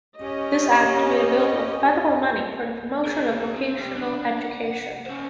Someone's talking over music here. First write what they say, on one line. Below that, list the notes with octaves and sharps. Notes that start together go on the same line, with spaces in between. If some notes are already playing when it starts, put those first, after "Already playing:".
This act made available federal money for the promotion of vocational education.
C#4 G4 D#5
G#4 A#4
C4
G3 G4
D4
F#5
C#4 C5